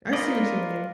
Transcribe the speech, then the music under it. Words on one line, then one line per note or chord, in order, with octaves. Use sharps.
I see what you mean.
F4 A#4 B4 D5 D#5